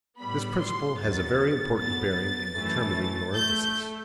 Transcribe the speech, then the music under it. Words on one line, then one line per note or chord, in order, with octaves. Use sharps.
This principle has a very important bearing in determining your emphasis.
A2 G3 B3 B5
C6
D#2 D#3 F#3 B3 A6
F#2 F#3 B3 A6
F#2 E3 A3
A3 G6